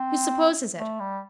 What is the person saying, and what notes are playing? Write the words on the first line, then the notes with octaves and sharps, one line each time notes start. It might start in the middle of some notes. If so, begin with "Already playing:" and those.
Who supposes it?
Already playing: C4
A3
G3